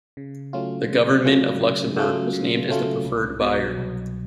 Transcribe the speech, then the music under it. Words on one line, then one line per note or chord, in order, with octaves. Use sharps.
The government of Luxembourg was named as the preferred buyer.
C#3
F#3 A3 C#4 F4
C#3
F#3 A3 C#4 F4
C#3
F#3 A3 C#4 F4
C#3
F#3 A3 C#4 F4
C2
B2 F#3
C2